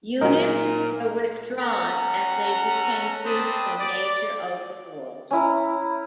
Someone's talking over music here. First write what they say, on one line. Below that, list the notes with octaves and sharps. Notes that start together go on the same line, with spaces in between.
Units were withdrawn as they became due for major overhauls.
A#2 F#3 G#3 D#4 A#4
C#4 A4 F#5 A#5
C4 D4 G5 A5 B5 D#6
D5
C#4 E4 A#5